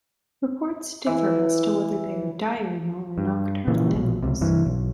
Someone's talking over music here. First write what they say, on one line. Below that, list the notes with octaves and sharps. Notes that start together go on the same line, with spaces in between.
Reports differ as to whether they are diurnal or nocturnal animals.
E3
G2
A#2 C#3 E3
A#1 B2
C#2 C3
C2 G2 E3
B1